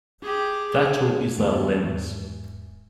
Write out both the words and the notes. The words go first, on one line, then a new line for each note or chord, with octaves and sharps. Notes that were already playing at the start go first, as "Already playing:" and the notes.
That tool is the "Lens".
G4 G#4
G#4
E2 G2 D#3 G#3 A3 B3
E2 G#2